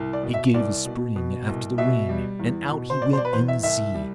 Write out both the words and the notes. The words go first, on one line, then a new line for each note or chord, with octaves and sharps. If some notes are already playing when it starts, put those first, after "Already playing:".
He gave a spring after the ring, and out he went in the sea.
Already playing: C2
D5
B2
E5
C2 D5
B2
B2
C2
B2 E5
G3
E2
B2
C5
B2 D5
C5
D5
B4
E2 C5
E5
C2 E5
G3